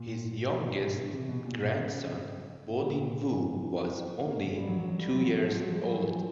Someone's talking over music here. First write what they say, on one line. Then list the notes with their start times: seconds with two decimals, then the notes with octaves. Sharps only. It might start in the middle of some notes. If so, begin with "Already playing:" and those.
His youngest grandson, Bolin Wu, was only two years old.
Already playing: A#2
0.51 B2
1.13 C3
1.29 B2
1.45 A#2
1.60 B2
1.76 C#3
2.70 A#2
2.81 D3
2.91 A#2
3.32 E3
4.26 A#3
4.36 A3
4.47 G#3
4.57 G3
4.68 F#3
4.79 F#3
4.89 F#3
4.99 G3
5.09 G3
5.19 F#3
5.30 F#3
5.41 F3
5.51 F3
5.62 F#3
5.72 G#3
5.83 G3
5.93 F#3
6.03 E3
6.13 F3